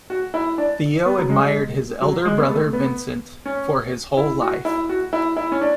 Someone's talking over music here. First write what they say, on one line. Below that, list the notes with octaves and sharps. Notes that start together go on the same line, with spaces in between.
Theo admired his elder brother Vincent for his whole life.
F#4
E4
D4
B3
F#3
G#3
F#3
G#3
B3
A3
B3
C#4
E4
F#4
E4
F#4
E4
E4
C#4
D4